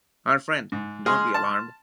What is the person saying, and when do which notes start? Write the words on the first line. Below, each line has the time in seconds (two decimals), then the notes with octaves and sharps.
Our friend — don't be alarmed!
0.72 G#2
1.06 G#3 G#4 C6 F6
1.34 A5